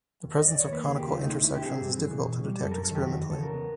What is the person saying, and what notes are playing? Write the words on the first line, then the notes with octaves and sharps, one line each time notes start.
The presence of conical intersections is difficult to detect experimentally.
D#2
D#2 D#5
D5
D#3 C#5
A#3 B4
D#2 G#4
G4
C#3 F4
A3 D#4
D2
E4
D3 G4
C4 G#4
G2
E3
B2
B2
G3
F#2 A4
F#2 A#4
A4
D#3 G4
E2 F#4
E2
A4
C#3 A#4
B3